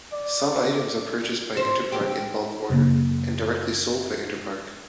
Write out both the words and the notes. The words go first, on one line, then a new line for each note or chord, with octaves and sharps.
Some items are purchased by Interpark in bulk order, and directly sold by Interpark.
D5
C5
G4
F#1 C#3 A#3